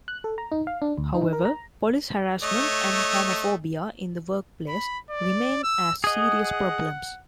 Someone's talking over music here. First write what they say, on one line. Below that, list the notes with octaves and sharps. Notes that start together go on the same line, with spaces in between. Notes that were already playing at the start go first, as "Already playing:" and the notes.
However, police harassment and homophobia in the workplace remain as serious problems.
F#6
A4
A#5
D#4
F5
D4
D2
D#4
A#4
A#5
A3 C#5 D#5
B5
D5
E6
G#4 D#5 F#5